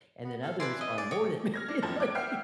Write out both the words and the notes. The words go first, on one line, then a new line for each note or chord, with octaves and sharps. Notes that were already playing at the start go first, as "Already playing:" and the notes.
and then others are more than ready to leave,
B3
A4 F5
B4 D5 E5 G#5 C6
D#5
G#4 D5
C#5 D#5 D6
F6 G#6 A#6
D4
F#2 A2 F3 A5
D6 F#6 G#6 D7
E5 F#5 G5 F6 G6 C7